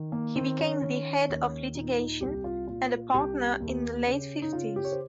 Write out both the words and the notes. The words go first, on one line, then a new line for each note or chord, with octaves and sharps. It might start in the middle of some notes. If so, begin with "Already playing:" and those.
He became the head of litigation and a partner in the late fifties.
Already playing: D#3
A#3
D#3 C4
C#4
D#3
D#2
A#2 D#4
D#4
C2 G4
F4
A#2 F4
C2 G4
D#2
C#3
D#4
C#3 F4
G4
C#5
C5